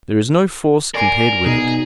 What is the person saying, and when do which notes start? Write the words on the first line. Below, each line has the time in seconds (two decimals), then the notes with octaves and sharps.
There is no force compared with it.
0.95 A#4 D5 G#5 C6
1.46 B2 D#4 G#4